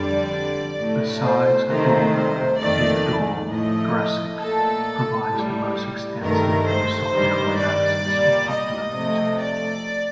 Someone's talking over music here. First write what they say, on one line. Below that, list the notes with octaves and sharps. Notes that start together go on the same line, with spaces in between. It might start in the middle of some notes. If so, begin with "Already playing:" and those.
Besides Adorno, Theodore Gracyk provides the most extensive philosophical analysis of popular music.
Already playing: F2 D3 G3 D5
A2 A3
C5
C3 D#3 A3 C5
F2 D#3 A3 D5
A2 F3 A3 D#5
A#2 A3 A4
A2 G3
G2 D#3 A3 A#4
C5
G2 D#3 G3
D5
A#2 G3
D#5
C3 F3 A3
D5